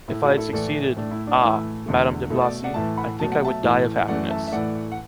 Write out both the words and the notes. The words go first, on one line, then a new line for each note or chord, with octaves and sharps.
If I had succeeded Ah! Madame de Blacy, I think I would die of happiness.
A2 A3 E4
D4 F#4
E4 A4
A2 E3 A3 A4 D5
A2 A3 D4
E4
D4
A2 E3 A3 E4
E2 D3 A3
B2 A3 E4 A4
A4 D5
D5 F#5
A2 E3 A3 E5 A5
F#5 B5
B2 F#3 A3 A5
F#5
E5 A5
A2 E3 A3
F#2 E3 A3 D5 F#5
E5 A5
E5
A2 E3 A3 D5 F#5
F#5